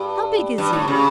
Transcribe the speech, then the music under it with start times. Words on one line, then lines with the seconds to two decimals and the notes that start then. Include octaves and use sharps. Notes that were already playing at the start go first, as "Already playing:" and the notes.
"How big is he?"
Already playing: G2
0.58 G2
0.73 A2
0.88 C#3